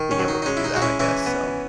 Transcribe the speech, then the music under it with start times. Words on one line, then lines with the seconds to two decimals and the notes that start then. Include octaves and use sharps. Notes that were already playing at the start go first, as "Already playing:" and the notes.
being able to do that, I guess. So
Already playing: D#3
0.11 C#4
0.19 F#3
0.28 D#4
0.42 D#4
0.46 G#3 C#4
0.57 E4
0.64 D#4
0.73 G#3 F#4
0.82 C#4 E4
0.99 E3 C#4 E4
1.26 B3